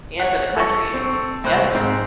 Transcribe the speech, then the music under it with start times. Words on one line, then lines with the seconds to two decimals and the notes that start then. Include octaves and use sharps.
and for the country, yes.
0.20 C#5 F#5
0.56 A4 C#6
0.94 C4
1.44 C2 C5 F#6
1.75 G#2 C4